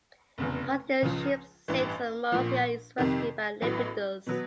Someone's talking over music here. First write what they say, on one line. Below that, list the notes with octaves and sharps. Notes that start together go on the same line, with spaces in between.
Totila’s ship sinks and Marzia is rescued by Lepidus.
F1 E2 C#3
C#2 C#3 F3
A1 G2 E3
A#1 A#2 F3
F2 C3 D#3
A1 A2 F#3 B3
B2 F#3 B3